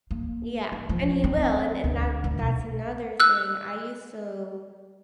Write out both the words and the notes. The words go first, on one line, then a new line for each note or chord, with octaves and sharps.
Yeah, and he will, and and that that's another thing. I used to
A#3
E3
F3
C4
D2
D2
B1
E6 F#6